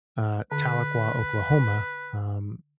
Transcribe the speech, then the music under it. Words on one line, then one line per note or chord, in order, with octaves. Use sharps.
uh, Tahlequah, Oklahoma, um,
D3 B4